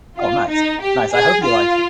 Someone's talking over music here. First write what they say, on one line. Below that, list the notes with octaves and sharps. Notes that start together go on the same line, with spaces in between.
Oh, nice. Nice. I hope you like it.
F4
D#4
G4
G#4
F4